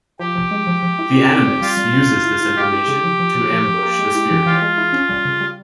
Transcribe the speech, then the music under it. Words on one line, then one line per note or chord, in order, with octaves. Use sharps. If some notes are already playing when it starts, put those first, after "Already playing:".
The Animus uses this information to ambush the spearhead.
F3 G4
F3
G#3
F3
F3
E4
C4
C4
G3
G3 F4
G3
C4
C#3
E4
E4
G#3 G4
E4
C#3
F3
F3
F3
F3
F3
A#3
G#3
E4
E3
E3 F4
G#3
E4
C#4
G3
C#3
G3